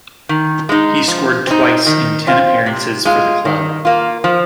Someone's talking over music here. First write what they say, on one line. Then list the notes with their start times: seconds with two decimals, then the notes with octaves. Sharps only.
He scored twice in ten appearances for the club.
0.29 D#3
0.69 G#3 D#4
1.08 F3
1.47 C4 D#4
1.86 D#3
2.27 C4 F4
2.66 C3
3.05 G#3 F4
3.45 D#3
3.85 A#3 F4
4.24 F3